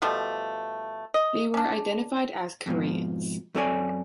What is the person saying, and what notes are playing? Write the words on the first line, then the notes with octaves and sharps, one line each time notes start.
They were identified as Koreans.
B2 F3 G3 A3
D#5
C#4 D4
F2 G#2 B2 F3
F#2 C4 A4 C#5 D5 G#5